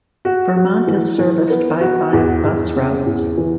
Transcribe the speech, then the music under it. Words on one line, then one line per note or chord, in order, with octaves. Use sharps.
Vermont is serviced by five bus routes.
F#4
F#4
E3
E3
B3
F#4
E2
E2
C#3
E2
E3